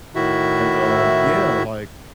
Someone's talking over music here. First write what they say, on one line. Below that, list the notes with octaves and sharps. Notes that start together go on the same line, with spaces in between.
and, um Yeah, like,
A2 D#3 E4 F#4 E5